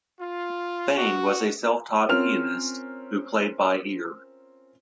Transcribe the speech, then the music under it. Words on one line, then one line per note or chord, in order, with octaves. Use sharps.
Fain was a self-taught pianist who played by ear.
F4
F#4
C4 C#4 F4 A#4 F6 F7